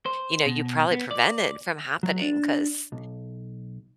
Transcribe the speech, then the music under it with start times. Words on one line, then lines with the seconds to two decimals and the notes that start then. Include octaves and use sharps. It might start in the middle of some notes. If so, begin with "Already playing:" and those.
you know, you probably prevented from happening, 'cause
0.06 C5
0.46 B2
0.91 B3
1.11 D5
2.03 F#3
2.21 D4
2.92 B1